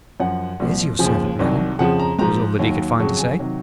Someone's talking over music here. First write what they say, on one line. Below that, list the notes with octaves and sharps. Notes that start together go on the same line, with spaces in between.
"It is your servant, madame," was all that he could find to say.
F#2 F3 F#5
C2 A#2 F3
D#2 C#3 F3 G#5
C2 C3 D#3 F#3
F2 C#3 F3 F#5
A#5
G#2 F3 A#5
D#2 D#3 F#3
F2 C#3 F#3 C#6
G#5
C3 D#3 F#3